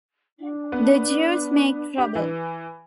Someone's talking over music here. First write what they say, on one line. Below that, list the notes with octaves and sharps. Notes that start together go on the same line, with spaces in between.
The Jews make trouble.
D4
B3
G4
E3